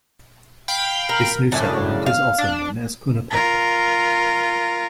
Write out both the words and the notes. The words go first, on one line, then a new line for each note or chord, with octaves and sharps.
This new settlement is also known as Kounopetra.
F5 G5 B5
A#4
F#2 A2 C#3 D4
F5
D4
F4 A#4